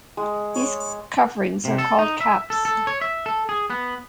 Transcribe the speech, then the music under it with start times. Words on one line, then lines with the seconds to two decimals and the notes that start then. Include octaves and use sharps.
These coverings are called "caps".
0.17 G#3
0.56 C#5
1.65 C3
1.78 A4
1.99 D#4
2.21 E5
2.50 A4
2.65 A4
2.87 C#5
3.01 E5
3.26 A4
3.49 G#4
3.70 B3